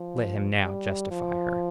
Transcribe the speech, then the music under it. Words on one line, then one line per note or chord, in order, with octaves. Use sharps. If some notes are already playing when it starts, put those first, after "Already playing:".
Let him now justify her.
Already playing: F3
G3
F3